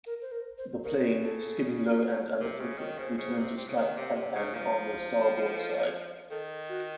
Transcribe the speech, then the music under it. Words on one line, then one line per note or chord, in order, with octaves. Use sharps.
The plane, skimming low and undetected, returned to strike "Callaghan" on the starboard side.
A#4
C5
A#4
C5
C#3 A#4
C5
A#4
A4
C3 A#4
C#3 C5
D#3 C#5
C#3 C5
C#3
C3
C3
C#3
D#3
C3
C3
C#3
F3
C5
C#5
A4
D#3 A4
F#4